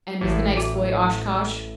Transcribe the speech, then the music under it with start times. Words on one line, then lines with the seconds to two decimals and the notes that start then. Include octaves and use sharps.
"And is the next boy Oshkosh?"
0.21 A1 A2 E3
0.57 F#4